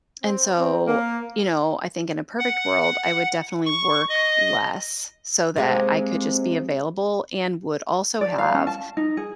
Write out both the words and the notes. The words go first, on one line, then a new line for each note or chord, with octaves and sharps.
and so, you know, I think in a perfect world, I would definitely work less so that I could just be available and would also have
C4
C4
A#3
F#5
C#6
D#5
C3 G#3 A#3
D5
F5
C#4
A5
D#4
G#4